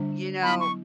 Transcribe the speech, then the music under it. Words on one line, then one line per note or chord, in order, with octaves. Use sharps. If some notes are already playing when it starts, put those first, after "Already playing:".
You know,
Already playing: D3 G3 D4
F#3 B3 E4 B5
C#6